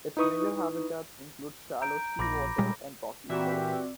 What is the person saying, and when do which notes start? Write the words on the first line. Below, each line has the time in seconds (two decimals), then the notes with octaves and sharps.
Its major habitats include shallow seawater and rocky shores.
0.17 D#4 E4 B4 C#6 D#6
1.82 A#5 G6 D7
2.19 A#1 B5 D6 A#6
2.58 A#2 G3 G#3
3.29 A#2 E3 C4 F#4 G4 D5 E5 D6